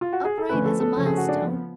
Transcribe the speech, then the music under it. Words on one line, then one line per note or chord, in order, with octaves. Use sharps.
Upright as a milestone.
F4
F#4
G#4
A4
D3 F3 A3 C#4 B4
A4
A4
C#3 F3 A3 C#4
G#4
F#4
D4
F3 B3